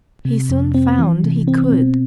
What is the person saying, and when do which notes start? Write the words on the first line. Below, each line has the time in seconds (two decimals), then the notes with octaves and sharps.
He soon found he could.
0.25 C3
0.49 F2
0.75 C4
0.99 E3
1.24 C3
1.48 C4
1.72 B2